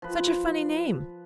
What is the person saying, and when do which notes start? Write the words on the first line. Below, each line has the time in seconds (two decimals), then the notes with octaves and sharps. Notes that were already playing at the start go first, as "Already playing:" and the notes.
"Such a funny name."
0.02 F3 B4